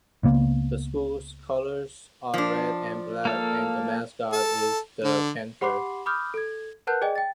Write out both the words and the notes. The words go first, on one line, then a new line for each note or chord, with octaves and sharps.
The school's colors are red and black, and the mascot is the Panther.
C#2 C#3 A#3 B3
F3 D4
A#3 A4 F5
A4
D3
G4 F#5 B5 C6 D6 C7
B5 D6 D#6 F6 G6
A4 G#6
A#4 B4 F#5 A5 F#6 G6
G#4 D5 D#5 G5 G#5
G5 A6